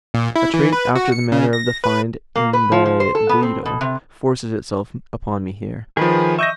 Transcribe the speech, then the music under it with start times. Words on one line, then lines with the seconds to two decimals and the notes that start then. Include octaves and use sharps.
A trait, after the manner of the find in the Lido, forces itself upon me here.
0.14 A#2
0.36 E4
0.54 E3
0.73 B4
0.96 F#4
1.12 C#7
1.32 C#3
1.53 A#6
1.84 B4
2.36 A#3
2.53 B4
2.72 F3
2.86 F3
3.00 C5
3.15 A4
3.29 B3
3.43 C4
3.66 B2
3.81 C3
5.97 D#3 F3 G#4 B4
6.39 D#5 E5 C#6 G6 A#6